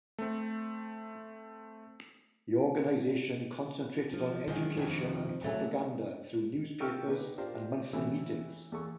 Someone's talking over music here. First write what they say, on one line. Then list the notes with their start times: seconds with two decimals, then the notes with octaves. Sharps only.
The organisation concentrated on education and propaganda through newspapers and monthly meetings.
0.18 A3 C4
4.13 F3
4.48 F#2 D#3 G#3
4.77 F2
5.44 F#3 A3
6.80 F4 A4 D#5 G5 C#6 F6
7.07 B2 D3 D#4 G4 G#4 B4
7.38 D4 F4 G4 A#4 C5
7.93 E3 A3 C4 C#4 E4
8.72 E2 A4 C#6